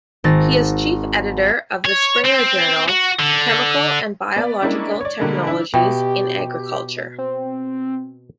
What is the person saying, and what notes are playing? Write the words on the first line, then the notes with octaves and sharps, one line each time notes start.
He is chief editor of the Springer journal "Chemical and Biological Technologies in Agriculture".
G#1 A6 A#6
C#5
C4
F#4
D3
B3 D5
G3 G#3 A#3 C#4 D4 E4
C#5 D5
B2 D3 G3 G#3 A#3
D4 E4
B2 G4 E5 G5
C4